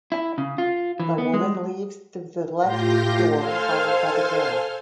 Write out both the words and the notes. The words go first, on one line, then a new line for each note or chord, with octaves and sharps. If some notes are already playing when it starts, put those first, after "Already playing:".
The woman leaves through the left door followed by the girl.
E4
C#3
F4
E3
B3
G#3
A2 F4 G4 C6 G6 A#6
A4 C5 F5 G#5 C6 F6